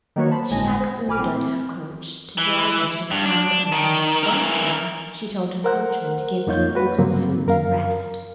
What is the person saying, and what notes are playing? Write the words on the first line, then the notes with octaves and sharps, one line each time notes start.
She had ordered her coach to drive her to the "Crown" inn; once there, she told her coachman to give the horses food and rest.
D#3 F#3 A#3 F#4 B4 C#5
C5 A5 B5
G1 A2 G#3 G#5 A#6
C5
A1 A#2 G#5 B5 D6 F6
C4 E4
E3
G2
D4
D#3
E3 A#4
A#4 C5 F#5
F2 A#3 D#4 F4 C#5 G6
F#4 B4
G2 C#3 F#3 A#3 C4
F#2 A#4 F5